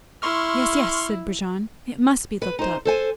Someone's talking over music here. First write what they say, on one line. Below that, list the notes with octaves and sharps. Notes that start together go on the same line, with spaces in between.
"Yes, yes," said Brujon, "it must be looked up."
E4 C6 C#6 F6
B4
D#4 C5
A4 C5 G#5